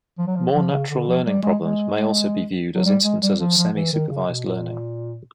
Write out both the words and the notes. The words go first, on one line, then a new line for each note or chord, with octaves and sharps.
More natural learning problems may also be viewed as instances of semi-supervised learning.
F3
F#3
F3
F3
C#3
D3
F3
G3
G#3
G#3
F#3
G3
G#3
G3
F3
F3
E3
D#3
C#3
B2
A#2